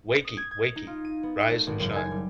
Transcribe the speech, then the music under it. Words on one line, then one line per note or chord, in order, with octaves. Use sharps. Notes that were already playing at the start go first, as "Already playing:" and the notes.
Wakey, wakey! Rise and shine!
D#6
G#6
G#6
D#4
F4
D#7
B3
A3
G#1
F#1
G#5
G3